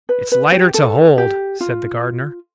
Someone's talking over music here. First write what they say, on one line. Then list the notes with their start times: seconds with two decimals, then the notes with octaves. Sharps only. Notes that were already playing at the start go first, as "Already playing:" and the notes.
"It's lighter to hold," said the Gardener.
0.09 B4
0.32 B4
0.52 G4
0.74 A4
1.18 G4
1.61 F4